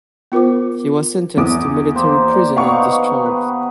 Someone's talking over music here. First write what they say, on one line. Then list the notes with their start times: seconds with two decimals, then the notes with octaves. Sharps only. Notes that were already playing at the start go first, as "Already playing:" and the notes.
He was sentenced to military prison and discharged.
0.32 B3 F4 A#4 C5 D6
1.37 E2 D6 D#6
1.95 A#3 G4 C5
2.28 D5
2.56 D#3 B3 D#4 F5 C#6
3.25 B4